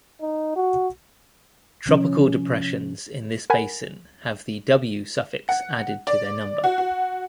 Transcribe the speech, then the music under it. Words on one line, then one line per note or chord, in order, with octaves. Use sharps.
Tropical depressions in this basin have the "W" suffix added to their number.
D#4
F#4
C3 F3 C#4
A#4 F#5 G#5 B5
F#5
D5
F#4
F#4